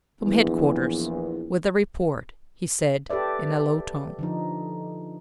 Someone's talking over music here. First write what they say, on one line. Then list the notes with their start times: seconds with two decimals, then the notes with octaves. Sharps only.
"From headquarters--with a report," he said, in a low tone.
0.22 A#1 E2
3.10 G4 A4 B4 D5 E5
4.19 D3 F3 D#4